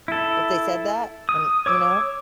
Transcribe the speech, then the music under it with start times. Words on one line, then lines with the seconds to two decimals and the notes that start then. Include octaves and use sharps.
if they said that and, you know,
0.08 E4 A4
1.29 D#6
1.66 C#5 D6 E6